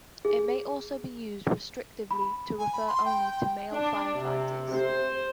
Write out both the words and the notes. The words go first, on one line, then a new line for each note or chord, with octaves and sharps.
It may also be used restrictively to refer only to male firefighters.
G#4
B5
G#5
B5
C6
G5
D4
C3
C5